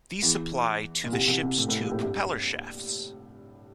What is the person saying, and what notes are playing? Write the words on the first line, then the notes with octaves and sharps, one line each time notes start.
These supply to the ship's two propeller shafts.
E2 E3
A#2
C2 C3
C2 C3
C2 C3
A2
A2
A#1 A#2
A2
G2